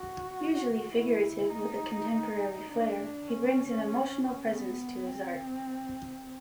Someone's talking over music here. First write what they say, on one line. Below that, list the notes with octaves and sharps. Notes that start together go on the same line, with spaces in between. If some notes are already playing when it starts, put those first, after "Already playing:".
Usually figurative with a contemporary flare, he brings an emotional presence to his art.
Already playing: F#4
E4
D#4
D4
C#4
B3
C4